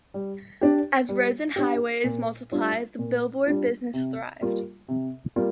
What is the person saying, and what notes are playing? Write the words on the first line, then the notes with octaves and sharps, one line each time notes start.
As roads and highways multiplied, the billboard business thrived.
G3
D4 G4
G3
D4 G4
A#2
G3 D4 F4
A#2
G3 D4 F4
C3
G3 A#3 F4
C3
G3 A#3 F4